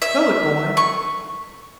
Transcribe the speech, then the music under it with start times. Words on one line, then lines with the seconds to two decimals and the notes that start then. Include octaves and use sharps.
"Go it, boy!"
0.02 E5
0.77 C#6